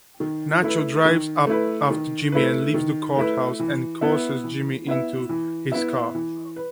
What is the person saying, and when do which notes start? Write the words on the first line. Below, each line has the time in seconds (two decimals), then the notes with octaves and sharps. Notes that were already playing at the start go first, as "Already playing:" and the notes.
Nacho drives up after Jimmy leaves the courthouse and coerces Jimmy into his car.
0.20 D#3
0.62 A3 E4 B4
1.05 D#3
1.47 A3 E4 B4
1.90 D#3
2.32 A3 E4 B4
2.74 D#3
3.17 A3 E4 B4
3.60 E3
4.01 B3 E4 B4 E5
4.44 E3
4.87 B3 E4 B4 E5
5.29 E3
5.72 B3 E4 B4 E5
6.15 E3
6.56 B4